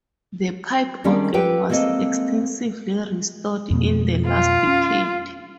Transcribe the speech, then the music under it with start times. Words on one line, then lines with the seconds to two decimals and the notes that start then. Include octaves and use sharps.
The pipe organ was extensively restored in the last decade.
1.04 D#3 G3 G#3 C#4 D4
1.34 G4 A4 B4 G5
1.69 G#3 A#3 C4 A4 D#5
3.71 F2 B2 A#3
4.28 F4
4.67 C#4